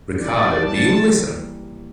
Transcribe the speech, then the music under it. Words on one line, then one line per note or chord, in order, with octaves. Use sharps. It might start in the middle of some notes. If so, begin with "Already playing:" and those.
Ricardo, do you listen?
E3 D5
E3
G3 A5
A#3